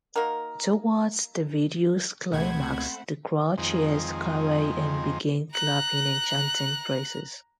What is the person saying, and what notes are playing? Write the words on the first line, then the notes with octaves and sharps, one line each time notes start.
Towards the video's climax, the crowd cheers Carey and begin clapping and chanting praises.
A#3 D#4 F#4 A#4
C#2 B2 A3 C4 C5 F#5 B5 G#6
F2 D#3 G#3 C4
A#5 F#6